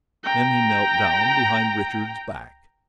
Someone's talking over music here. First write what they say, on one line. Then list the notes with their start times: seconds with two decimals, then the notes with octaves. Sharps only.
Then he knelt down behind Richard's back.
0.24 G5 A#5